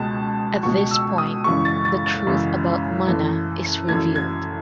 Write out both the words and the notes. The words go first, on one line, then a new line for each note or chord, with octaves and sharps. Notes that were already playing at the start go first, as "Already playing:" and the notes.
At this point the truth about Munna is revealed.
Already playing: C#2 B2 G#3 A5
C#2 B2 G#3 C#6
E6
D#6
F#2 C#3 E3 G#3 C#6
A6
A6
A6
F#2 C#3 E3 G#3
F#2 E3 A3
F#2 E3 A3 G#6
G#6